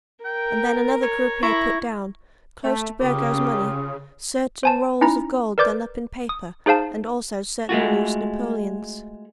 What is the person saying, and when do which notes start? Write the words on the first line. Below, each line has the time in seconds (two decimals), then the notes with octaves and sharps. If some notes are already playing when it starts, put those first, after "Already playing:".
And then another croupier put down, close to Burgo's money, certain rolls of gold done up in paper, and also certain loose napoleons.
0.25 A#4 G5
1.03 C#5
1.43 E4 A#5 C#6
2.64 A3
3.01 C#3 F4 G4 A#4 C#6 D#6
4.63 C5 G#5 A5
5.01 C#4 D#4 E4 A#5
5.58 A#4 B4 D5 D6 G6
6.29 D#6
6.66 D#4 G#4 C5 F5 A5
7.69 G#3 A3 F4 F#4